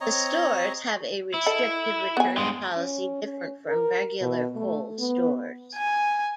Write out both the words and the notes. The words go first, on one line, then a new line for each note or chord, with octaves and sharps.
The stores have a restrictive return policy different from regular Kohl's stores.
C4 C#5 D#5 A#5
E4
A4 D#5
B3 G#5
G2 G#3
C#4
C#4
A#4
B2
A3
B3
G#5